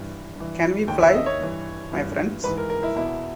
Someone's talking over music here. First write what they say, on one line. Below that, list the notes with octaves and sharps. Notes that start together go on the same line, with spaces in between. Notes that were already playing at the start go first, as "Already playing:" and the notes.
Can we fly, my friends?
Already playing: G2 E3
G2 E3
D#2 D#3 G5
E5
D#5
C#5
G2 E3
G2 E3
G#2 E3 B4
A#4
A#4
E4
E2 B2 E4